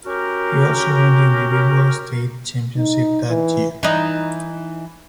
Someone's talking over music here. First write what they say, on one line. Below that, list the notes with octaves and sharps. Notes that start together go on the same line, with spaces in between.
He also won the individual state championship that year.
C#4 F#4 G4 A#4
D#4
E3
E3 D#4